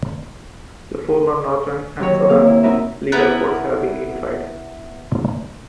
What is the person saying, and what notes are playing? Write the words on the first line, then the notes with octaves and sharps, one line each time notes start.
The former northern and southern legal codes have been unified.
D#2 F#3 F#4 C#5
C3 A#3 F5
E4
C4 D#4 F#4 A#4 B4 E5
B3 E4 A#4 B4